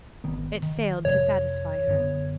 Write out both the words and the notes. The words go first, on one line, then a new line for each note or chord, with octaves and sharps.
It failed to satisfy her.
G#1 D#3 B3
D#3
F2 C3 F3 C#5
F#2 D3 B3